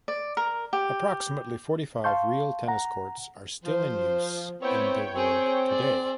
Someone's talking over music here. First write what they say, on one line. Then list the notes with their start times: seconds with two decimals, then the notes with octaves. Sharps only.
Approximately forty-five real tennis courts are still in use in the world today.
0.08 D5
0.37 A#4
0.73 G4
2.04 F5 A5 C6 C#6 G6
2.68 F#5 A#5
3.64 F3 C5
4.62 B3 C4 E4 C#5 G5
5.16 C4 G#4
5.68 G#4 D5